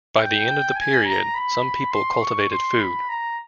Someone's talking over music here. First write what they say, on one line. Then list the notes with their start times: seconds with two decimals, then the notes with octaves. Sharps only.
By the end of the period, some people cultivated food.
0.17 G5
0.75 G#5
1.05 A#5
1.35 B5
1.92 C6
2.21 C#6
2.50 C6
2.80 B5
3.09 A#5